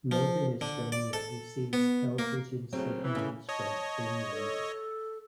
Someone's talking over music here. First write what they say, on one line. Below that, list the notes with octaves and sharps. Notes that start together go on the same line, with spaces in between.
Northern Estonia receives television signals from Finland.
F3
D3
D5
A4
B3
A#3
D2 C#3 F#3 C4
E3
C#3 G#5
C#5 D#5 A5
A4